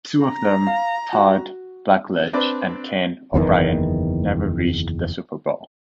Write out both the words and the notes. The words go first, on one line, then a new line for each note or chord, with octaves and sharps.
Two of them, Todd Blackledge and Ken O'Brien, never reached the Super Bowl.
A#5
F5
F#4
C4 D4 B4 D5
F#1 E2 D#3 E3